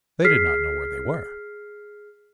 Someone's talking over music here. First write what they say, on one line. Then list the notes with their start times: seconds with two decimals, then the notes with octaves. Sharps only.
They did not know where they were.
0.25 G#4 F6 B6 C7